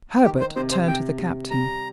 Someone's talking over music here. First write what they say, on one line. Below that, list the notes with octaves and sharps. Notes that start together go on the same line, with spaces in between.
Herbert turned to the Captain.
D#3 G4
C5
C3 C5
C5
C3 G5
C3
G3 A#5